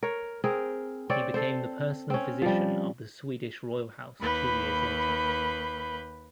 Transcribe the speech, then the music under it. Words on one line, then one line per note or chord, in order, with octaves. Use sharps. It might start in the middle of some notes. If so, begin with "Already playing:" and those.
He became the personal physician of the Swedish royal house two years later.
A#4 C#5
C4 G#4 A#4
C4 C#5 D5
A4 C5
C4 C#4
F3 G3
D#2 B4 B5 G6